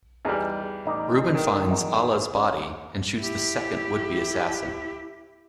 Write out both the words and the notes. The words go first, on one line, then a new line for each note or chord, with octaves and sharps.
Reuben finds Alla's body and shoots the second would-be assassin.
E2 G3 D#4 G#4
A1 D#4 D5
D#3
E2 D#4
C#4
E4 G4